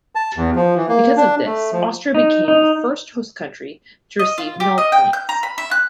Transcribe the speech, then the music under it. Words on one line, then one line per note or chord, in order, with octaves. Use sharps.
Because of this, Austria became the first host country to receive nul points.
A5
E2
F3
E3
A#3
D4
A3
F3
D#4
D#4
D#5
F4
G4
D#5
G5
G6
A#5
B5
E5
F#6